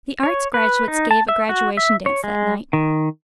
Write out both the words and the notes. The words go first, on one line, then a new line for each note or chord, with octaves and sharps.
The Arts graduates gave a graduation dance that night.
C#5
B4
D#4
A5
E5
F#4
E5
C#5
G#3
D#3